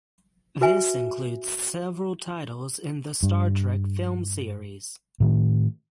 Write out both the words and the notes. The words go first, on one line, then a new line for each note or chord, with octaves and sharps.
This includes several titles in the "Star Trek" film series.
F#4 B4 E5 G#5
G2
A2 D#3 A3